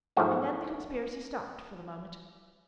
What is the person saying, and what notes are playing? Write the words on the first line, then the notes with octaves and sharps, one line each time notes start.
And then the conspiracy stopped for the moment.
G#2 F3 F#3 A3 F#4